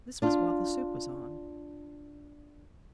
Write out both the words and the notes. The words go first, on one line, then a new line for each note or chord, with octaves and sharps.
This was while the soup was on.
D4 F4